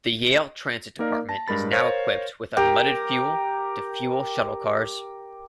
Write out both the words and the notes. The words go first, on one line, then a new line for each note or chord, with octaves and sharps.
The Yale Transit Department is now equipped with unleaded fuel to fuel shuttle cars.
A#3 D#4 A#4 D5 F5
A5 A#6
G2 G#3 A#4 B5 A6
A#4 C5 C#5 F5
G4 A#4